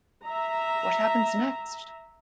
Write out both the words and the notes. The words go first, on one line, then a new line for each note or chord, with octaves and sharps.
What happens next?
E5 A#5